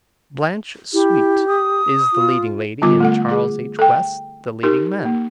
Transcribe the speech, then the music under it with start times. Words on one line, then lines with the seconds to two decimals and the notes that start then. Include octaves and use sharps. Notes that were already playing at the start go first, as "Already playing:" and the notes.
Blanche Sweet is the leading lady, and Charles H. West the leading man.
0.94 E4 G4
1.48 D#6
2.13 F4
2.82 D3 G3 B3 F4 D6
3.00 A3 A4 F#5
3.28 G#4 D6
3.79 A4 G5
4.63 D#4 G4 A#4
5.05 A#3